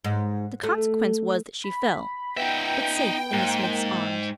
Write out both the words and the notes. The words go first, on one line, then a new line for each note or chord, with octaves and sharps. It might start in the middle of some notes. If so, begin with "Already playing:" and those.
The consequence was that she fell--but safe in the smith's arms.
G#2
A3
B5
B3 D#4 E5 G5
G#2 A#3